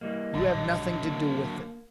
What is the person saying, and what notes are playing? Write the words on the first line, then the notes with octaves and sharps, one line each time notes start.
You have nothing to do with it.
E3 G3 A#3 D#5
A#1 A2 D3 F#3 G3
A#3 F4